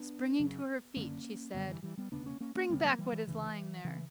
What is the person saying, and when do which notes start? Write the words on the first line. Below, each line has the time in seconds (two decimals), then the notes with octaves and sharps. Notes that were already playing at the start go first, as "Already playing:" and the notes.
Springing to her feet, she said: "Bring back what is lying there."
Already playing: B3 D4
0.39 F#1 F#2 C#3
0.96 F#1 F#2 D3 A#3 C#4
1.54 F#1 F#2 D3 G3 B3
1.68 E3 G3
1.83 E3 G3
1.97 G3 B3
2.12 E1 D2 C#3 B3 D4
2.26 A#3 C#4
2.40 A#3 C#4
2.55 A#3 C#4
2.70 E1 D2 C#3 G3 B3
2.84 F#3 A#3
2.98 E3 G3
3.12 E3
3.27 D2 C#3 E3
3.84 C#3 E3